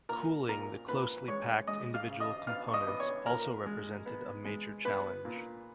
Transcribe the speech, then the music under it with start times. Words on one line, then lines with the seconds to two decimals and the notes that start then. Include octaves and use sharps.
Cooling the closely packed individual components also represented a major challenge.
0.09 A#2 A#4 A#5
0.49 A#2 A#4 A#5
0.88 A#2 B4 B5
1.28 G#3 C#5 C#6
1.67 G#3 D#5 D#6
1.94 F5 F6
2.07 C#3
2.20 D#5 D#6
2.47 B3 F5 F6
2.68 C#6
2.74 D#5 D#6
2.87 B3 D#6
3.00 C#5 C#6
3.26 A#2 A#4 A#5
3.66 G#3
4.06 B3
4.45 G#3
4.85 B3 B4 B5
5.25 A#2